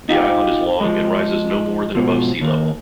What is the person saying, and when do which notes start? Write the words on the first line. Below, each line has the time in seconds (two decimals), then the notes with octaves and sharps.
The island is long and rises no more than above sea level.
0.09 D#4 F4 G4
0.81 F3 G#3
1.95 G#2 B2 F3
2.41 D#2